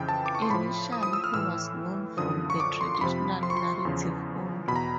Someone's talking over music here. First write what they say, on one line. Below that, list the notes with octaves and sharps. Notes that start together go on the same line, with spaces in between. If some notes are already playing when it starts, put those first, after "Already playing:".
Initially, he was known from the traditional narratives only.
Already playing: F2 C#3 E3 G5
A5
D6
C#6
C6
A2 F3 B5
D#6
D#6
E6
F6
A2 E3 E6
F#2 D3 F3 D#6
C#6
D6
C6
C6
F2 C3 F3 B5
C6
C#6
C6
E2 C#3 F3
E2 B2 A#5 B5